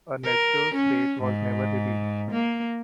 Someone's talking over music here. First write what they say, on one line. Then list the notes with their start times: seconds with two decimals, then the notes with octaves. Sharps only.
Ernesto's fate was never revealed.
0.24 A#4
0.75 C#4
1.22 G#2
2.32 A#3